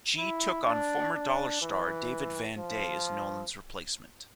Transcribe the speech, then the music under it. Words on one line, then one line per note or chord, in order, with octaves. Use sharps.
G took on former Dollar star David Van Day as Nolan's replacement.
E4
D4
D4
E3
F3